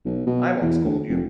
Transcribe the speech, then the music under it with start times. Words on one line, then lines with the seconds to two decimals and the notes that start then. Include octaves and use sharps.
I won’t scold you.
0.05 B1
0.27 B2
0.61 E2
0.84 D2
1.09 F1